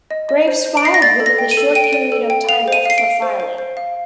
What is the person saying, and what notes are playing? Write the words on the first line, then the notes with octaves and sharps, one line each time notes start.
Graves filed within the short period of time left for filing.
D#5
D#5
C5
C5
D7
D#5 C7
A#6
D5 A6
A4
A#6
G5
D#7
A4
G5 D#7
D7
D5 D#7
A4
G5
F5 F7
C5 D#7
F5 C7
D7
F5
C5
C5
C5
F5